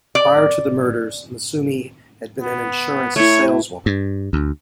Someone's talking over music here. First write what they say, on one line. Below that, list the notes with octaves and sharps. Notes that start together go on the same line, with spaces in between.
Prior to the murders, Masumi had been an insurance saleswoman.
D5
B3
A3 E4 C#5
G2
D2